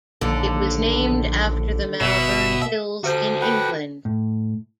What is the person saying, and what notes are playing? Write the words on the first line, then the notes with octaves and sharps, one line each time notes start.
It was named after the Malvern Hills in England.
A#1 D#2 D3
G1 B2 E5
D3 F#4 A4 C5 G6
B4 F#5 G5
A2